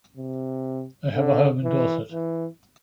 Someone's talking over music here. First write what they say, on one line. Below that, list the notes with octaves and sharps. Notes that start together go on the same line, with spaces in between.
They have a home in Dorset.
C3
D3
E3
E3